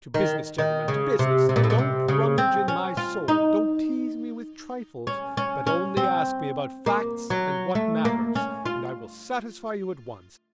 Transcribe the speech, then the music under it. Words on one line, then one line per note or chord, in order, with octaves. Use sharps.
To business, gentlemen, to business, and don't rummage in my soul; don't tease me with trifles, but only ask me about facts and what matters, and I will satisfy you at once.
D#3
D#3
C#3
C3
C3
A#2
A2
A#2
C3
C#3
C4
C#4
F4
D#4
C#4
C#4
C#4
C4
A#3
F#3
A3
A#3
C#4
F4